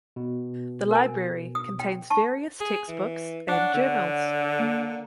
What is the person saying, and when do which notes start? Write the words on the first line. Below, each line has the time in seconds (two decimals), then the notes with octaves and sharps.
The library contains various textbooks and journals.
0.16 B2
0.91 A#4 G#5
1.55 D#6
1.80 G5
2.10 A5 C#6
2.60 G#4
2.88 E3
3.48 D4 C#5 F#5
3.74 D3
4.59 A#3